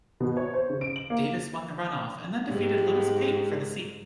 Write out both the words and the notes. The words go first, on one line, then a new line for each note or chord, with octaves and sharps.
Davis won the runoff and then defeated Louis Pate for the seat.
B2
C#5
C5
C#3
D7
F#7
A#3
G#2 G4